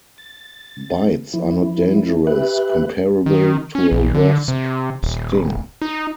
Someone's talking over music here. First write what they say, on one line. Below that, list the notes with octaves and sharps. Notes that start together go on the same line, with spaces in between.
Bites are not dangerous; comparable to a wasp sting.
A6
F3 E4
G4 B4 E5 F#6
D#3
C#4
A#1
D3
C3
D#1
D#4